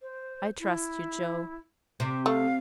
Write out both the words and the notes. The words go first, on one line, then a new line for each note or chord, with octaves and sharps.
'I trust you, Jo.
C5
E4
C3 G4
A3 F5